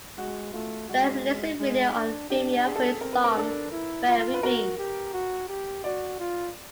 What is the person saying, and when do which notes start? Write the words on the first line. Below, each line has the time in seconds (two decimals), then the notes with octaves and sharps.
Bell released a video on Vimeo for his song, "Where We've Been".
0.18 G#3 F#4
0.53 A3 F4
0.89 G#3 F#4
1.59 G#3
1.95 D4
2.30 D4 G4
2.65 G#4
2.76 A4
2.85 G#4
3.01 C4 A#4
3.13 B4
3.24 A#4
3.37 D4 A4
3.72 E4
4.07 F4
4.34 B4
4.42 F#4 A#4
4.78 G4
5.14 F#4
5.48 G4
5.84 F#4 D5
6.20 F4